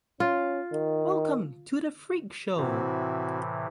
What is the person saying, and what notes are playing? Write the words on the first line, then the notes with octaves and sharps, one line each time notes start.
Welcome - to the Freak Show!
C#4 F4
D#3
A2 C3 E3 C4 E4 F#4